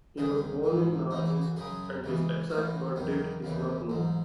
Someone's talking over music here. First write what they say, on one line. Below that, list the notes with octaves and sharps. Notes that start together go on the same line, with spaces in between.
He was born in Narni and his exact birthdate is not known.
C2 C3 D#3 G#4
A1 G#2 E3
A1 A2 E3 D#4
E4
F#4
F#2 C#3 F#3 G#4
C#2 C#3 E3
A1 A2 E3 F#4
E2 D#3 F#3
D#2 C#3 E3
A1 G#2 F#3